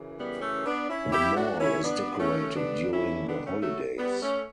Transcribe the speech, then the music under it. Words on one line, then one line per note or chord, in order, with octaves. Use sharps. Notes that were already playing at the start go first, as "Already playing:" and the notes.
The mall is decorated during the holidays.
Already playing: F#2 C#3 E3
G3 B3
A3 C#4
B3 D4
C#4 E4
E4 G4
D4 F#4
C#4 E4
B3 D4
A3 C#4
G2 D3 B3 D4
C#4 E4
B3 D4
A3 C#4
F#3 A3
G3 B3
A3 C#4